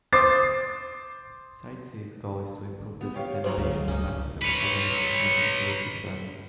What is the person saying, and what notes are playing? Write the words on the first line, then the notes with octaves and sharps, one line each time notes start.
CiteSeer's goal is to improve the dissemination and access of academic and scientific literature.
C5 D6 D#6 A6 C7
B3
G4 C#5 F5
B1 C#3 C5 C#5 A#5
D2 F4
C#2 C#4 D#4
B4 C#5